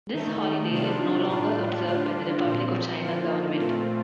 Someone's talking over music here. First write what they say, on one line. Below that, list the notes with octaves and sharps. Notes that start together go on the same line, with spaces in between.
This holiday is no longer observed by the Republic of China government.
D#3 A3 D#4
C3 D#3 G3 D4 F4
A2 G3 D4 F4
D3 G3 D4 F4
A#2 F3 C4
D3 F3 A#3 F4
A#2 A3 C4 F4